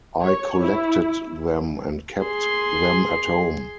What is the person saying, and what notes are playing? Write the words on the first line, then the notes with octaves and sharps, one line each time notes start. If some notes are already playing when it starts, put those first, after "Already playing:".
I collected them and kept them at home.
C#5
E4
G#4 C6